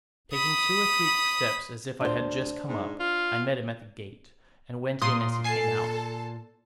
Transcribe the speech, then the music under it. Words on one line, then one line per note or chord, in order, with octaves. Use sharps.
Taking two or three quick steps, as if I had just come up, I met him at the gate, and went in as he came out.
B5 D#6
D2 D4 C5
G#2
F4
A#2 C6 D#6
A4 G#5 A5 C7